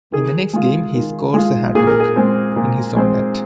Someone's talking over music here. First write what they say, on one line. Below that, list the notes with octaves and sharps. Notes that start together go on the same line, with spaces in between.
In the next game he scores a hat-trick... in his own net.
D#3 G#4
G#3 F4
D#3
G#3 F4
A#2 G#4
A#4
G#4
G#3 C4
A#2
G#3 C4